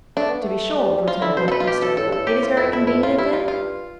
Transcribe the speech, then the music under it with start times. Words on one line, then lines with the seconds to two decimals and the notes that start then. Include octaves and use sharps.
"To be sure," returned Monte Cristo; "it is very convenient, then?"
0.17 A3 D4
0.29 B3
0.42 A3
0.76 G3
0.98 G3
1.07 F3 F4
1.22 D3 E4
1.37 B2 C5
1.48 A4
1.52 B4
1.60 F4
1.67 G4
1.82 A4
1.97 A2 A4
2.07 G2 A4
2.18 A2
2.27 G4
2.43 F4
2.57 F2 E4
2.73 E4
2.87 E4
3.03 A2 F4
3.17 G2 E4
3.33 F4
3.48 F4